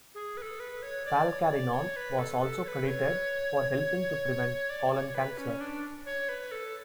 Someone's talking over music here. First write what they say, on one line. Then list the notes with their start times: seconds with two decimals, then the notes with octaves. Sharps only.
Falcarinol was also credited for helping to prevent colon cancer.
0.15 G#4
0.37 B4
0.42 A4
0.60 B4
0.83 C#5
1.06 D5
1.28 C#5
1.51 D5
1.74 C#5
1.96 B4
2.19 A4
2.42 A4
2.65 C#5
2.68 B4
2.88 C#5
4.70 D5
4.92 D5
4.96 C#5
5.15 B4
5.38 C#4
5.61 D4
6.06 C#5
6.29 B4
6.51 A4